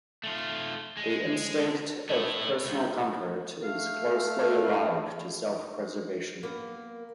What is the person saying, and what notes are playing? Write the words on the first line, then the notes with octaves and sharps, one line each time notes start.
The instinct of personal comfort is closely allied to self-preservation.
A3 F4
G#3
A3 E4
C#2
A3 F5
A#3 B3